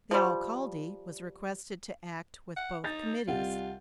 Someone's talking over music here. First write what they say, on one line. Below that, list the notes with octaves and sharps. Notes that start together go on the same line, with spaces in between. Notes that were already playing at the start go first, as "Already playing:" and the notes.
The Alcalde was requested to act with both committees.
F3 G3
F#5
D#4 G6 A6
C2 G3 F4 F#5